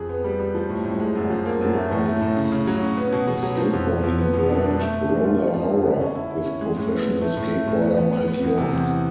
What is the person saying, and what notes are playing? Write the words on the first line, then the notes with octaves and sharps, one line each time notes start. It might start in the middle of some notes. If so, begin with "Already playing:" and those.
Harper co-owns the skateboarding brand Roller Horror with professional skateboarder Mike York.
Already playing: F2 G#4
B3
G3
G3
F3
A2
A2
G#3
F#2
F3
A#3
F#2
A3
A2
A3
A2
C#3
C#3
F#3
C#4
B3
B2
B2
F#3
F3
F2
F3
F2
B3
B2
D4
D4
A3
A3
D4
F4
F3
F3
F#2
D3
C#4
E4
E4
C#4
G#3
A2
B3
B3
A3
A2
A3
A2
B3
B3
B3
B3
E2
C3
E2